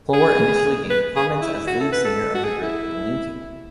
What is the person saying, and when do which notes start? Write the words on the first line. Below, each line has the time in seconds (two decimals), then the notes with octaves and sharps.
Polwart initially gained prominence as lead singer of the group Malinky.
0.14 G#4
0.90 B4
1.16 G#4
1.42 E4
1.54 E4
1.67 F#4
1.80 A4
1.92 B4
2.05 A4
2.35 F#4
2.44 G#4
2.63 E4